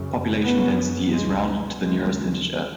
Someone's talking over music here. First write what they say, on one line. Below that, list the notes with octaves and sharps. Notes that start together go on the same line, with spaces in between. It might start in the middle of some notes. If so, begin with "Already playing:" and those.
Population density is rounded to the nearest integer.
Already playing: F#2 C#3
F#2 C#3 B3
C#2 B2 G#3
D#2 C#3 G#3